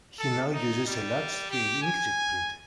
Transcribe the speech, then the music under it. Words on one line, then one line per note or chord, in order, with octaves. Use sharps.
He now uses a large-scale inkjet printer.
A4
D#4
G3
G4
G#5